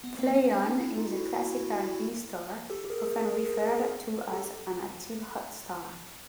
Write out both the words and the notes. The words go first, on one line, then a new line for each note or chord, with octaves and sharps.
Pleione is a classical Be star, often referred to as an "active hot star".
B3
A#3 C4
B3 C#4
C4 D4
C#4 D#4
D4 E4
D#4 F4
E4 F#4
G4 A4
G#4 A#4
G4 A4